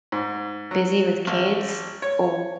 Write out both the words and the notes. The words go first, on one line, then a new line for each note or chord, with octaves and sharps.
busy with kids or
G#2
F#3
A1
C#5